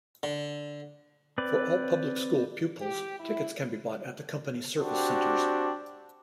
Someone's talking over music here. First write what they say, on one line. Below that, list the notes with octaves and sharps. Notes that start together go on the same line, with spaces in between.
For all public school pupils tickets can be bought at the company service centers.
D3
C4 B4 D5
G4
E4
C4 D4 F#4 G4